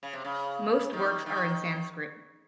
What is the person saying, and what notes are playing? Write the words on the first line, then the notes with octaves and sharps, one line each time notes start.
Most works are in Sanskrit.
C#3
C3
C#3
D#3
D#3